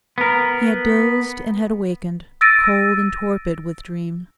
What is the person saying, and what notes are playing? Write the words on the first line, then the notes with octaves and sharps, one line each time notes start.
He had dozed and had awakened, cold and torpid with dream.
B3 A#4
E6 A6 A#6 D7 D#7